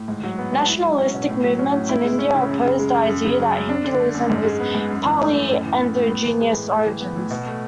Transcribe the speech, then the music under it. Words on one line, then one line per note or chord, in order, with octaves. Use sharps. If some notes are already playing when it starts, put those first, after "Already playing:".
Nationalistic movements in India oppose the idea that Hinduism has partly endogenous origins.
Already playing: A2
G#2
F#3
B3
G#2
E4
F#3
C#4
B2
A2
F#3
C#4
A2
E4
G#3
C#4
C#3
F#2
C#3
G#3
F#2
F#2
C#3
F#3
F#2
D4
D3
A3
F#2
G#2
G#3
B3
G#2
F#2
E3
A3
F#2
A2
E3
B3
A2
B3
E3
G#3
A2
A2
E3
B3
A2
B2
A3